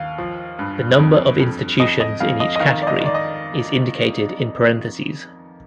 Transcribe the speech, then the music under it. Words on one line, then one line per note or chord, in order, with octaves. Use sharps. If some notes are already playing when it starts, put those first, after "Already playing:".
The number of institutions in each category is indicated in parentheses.
Already playing: D#2 F5
F3
G2
F2
F2
F2 D#5
D#5
F2 F5
D#5
D#5
D#3 F5
D5
D#5
D#3 D5
D#5